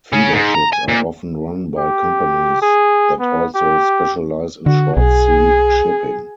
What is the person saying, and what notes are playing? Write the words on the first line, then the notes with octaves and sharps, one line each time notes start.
Feeder ships are often run by companies that also specialize in short sea shipping.
C#3 C#4
G#2
A#5
G#5
A#2
G4
G#4
B3
G4
D3 F#4
B1 G#4